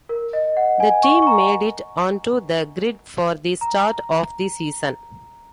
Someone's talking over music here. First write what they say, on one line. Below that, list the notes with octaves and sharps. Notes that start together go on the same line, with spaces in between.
The team made it onto the grid for the start of the season.
A#4
D#5
F#5
G#5
C#6
C#6
A#5
A#5